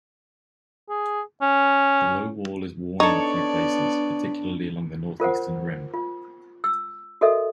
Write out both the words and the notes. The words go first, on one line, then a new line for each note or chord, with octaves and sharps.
The low wall is worn in a few places, particularly along the northeastern rim.
G#4
C#4
B3 D4 D#4 A4 C#5 D5
F4 A#4 C5 F#5
F4
E6
F#4 A4 A#4 D#5 E5